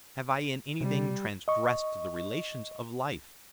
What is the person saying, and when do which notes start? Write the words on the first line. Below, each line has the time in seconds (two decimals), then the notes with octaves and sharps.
Have I in anything transgressed the relations of life?
0.81 C3 G3
1.48 D#5 C#6